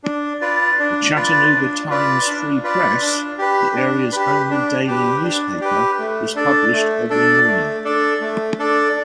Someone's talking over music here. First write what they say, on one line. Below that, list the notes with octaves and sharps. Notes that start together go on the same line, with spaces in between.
The "Chattanooga Times Free Press", the area's only daily newspaper, is published every morning.
D4
F4 B4 D5
D4
F4 B4 D5
D4
F4 B4 D5
D4
F4 B4 D5
D4
G4 B4
D4
G4 B4
D4
G4 B4
D4
G4 B4
A3
D4 A4 D5
A3
D4 A4 D5
A3
D4 A4 D5
A3
D4 A4 D5